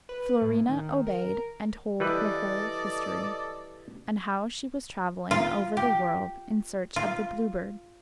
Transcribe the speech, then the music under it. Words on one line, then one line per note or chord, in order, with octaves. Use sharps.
Florina obeyed, and told her whole history, and how she was travelling over the world in search of the Blue Bird.
B4
A2
D#3
A#4
E3 G3 A4 B4 D5 D#5
F4
G4
F4